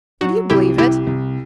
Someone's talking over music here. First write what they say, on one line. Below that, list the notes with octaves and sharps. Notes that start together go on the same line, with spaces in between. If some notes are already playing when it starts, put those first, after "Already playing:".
Would you believe it?
F#3 F#4
C2 E4 G4
C2 E4 G4
C2